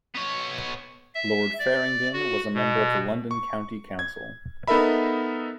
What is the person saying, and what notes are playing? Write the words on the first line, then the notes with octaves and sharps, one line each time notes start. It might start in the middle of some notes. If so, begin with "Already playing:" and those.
Lord Faringdon was a member of the London County Council.
B3 C#5
E5
D5
F#4
B2
C#6
G#6
B3 D#4 A4 A#4 E5 B5